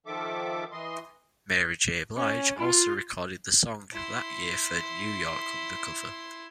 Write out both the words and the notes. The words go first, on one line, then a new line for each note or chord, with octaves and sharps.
Mary J. Blige also recorded the song that year for "New York Undercover".
D#3 F3 A4 E5 D6
E3 D#5 C6
C#4
F4
E4 C6